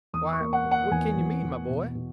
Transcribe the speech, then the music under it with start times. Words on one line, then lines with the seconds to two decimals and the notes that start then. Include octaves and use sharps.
"Why, what can you mean, my boy?"
0.13 E2 D#6
0.33 C#6
0.40 A#3
0.53 F#5
0.65 A#3
0.71 F#5
0.91 E2 G#5
1.17 E2
1.43 E2
1.69 B2
1.95 B2